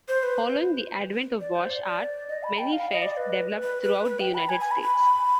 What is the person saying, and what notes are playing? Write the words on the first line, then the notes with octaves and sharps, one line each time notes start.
Following the advent of Wash Art, many fairs developed throughout the United States.
C5
B4
D5
C5
D5
D5
D#5
B5
G5
F5
D#5
D5
B4
B4
B4
B4
G5
B5
G#5
G#5
B5
B5